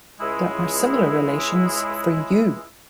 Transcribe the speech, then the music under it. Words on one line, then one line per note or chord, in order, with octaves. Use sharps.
There are similar relations for "U".
C#2 G#3 E4